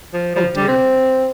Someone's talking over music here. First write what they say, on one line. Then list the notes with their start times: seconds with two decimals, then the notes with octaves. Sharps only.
Oh! dear.
0.13 F3
0.35 F3
0.56 G3
0.68 C4